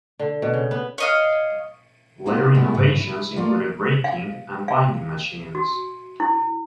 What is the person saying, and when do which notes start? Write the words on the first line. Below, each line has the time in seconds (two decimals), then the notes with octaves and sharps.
Later innovations included raking and binding machines.
0.19 D3
0.42 B2
0.54 C#3
0.71 B3
0.98 C#5 D#5 F5
2.26 A#3 B3 D#4 F4 F#4 C5
2.54 G3 G#3 B3 E4
2.74 G2 C#3 E4
3.00 E4
3.36 A3 A#3 F4 D5 F5
4.04 F5
4.68 F5
5.55 F#4
6.20 E4